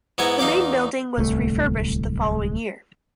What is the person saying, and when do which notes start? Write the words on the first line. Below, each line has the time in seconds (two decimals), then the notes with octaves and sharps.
The main building was refurbished the following year.
0.18 G#2 B3 E4 G#5 A#5
0.39 E2 D#4 F5 D6
1.18 D1 C2 A3